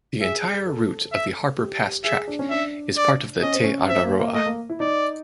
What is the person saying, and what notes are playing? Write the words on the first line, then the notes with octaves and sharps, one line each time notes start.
The entire route of the Harper Pass Track is part of Te Araroa.
G#4 E5
A4
E5
G4
G#4 E5
D4
C#4
D4 E5
D5
C#4 D#5
C4
C#4
C4 E5
A#3
A#3
A3 D#5
A#3
E4
D#4 D5